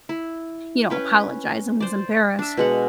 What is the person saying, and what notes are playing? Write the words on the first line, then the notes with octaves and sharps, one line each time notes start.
you know, apologized and was embarrassed.
E4
C#4 B4 G5
C5 D5
D4 E5
B2 G#3 F#5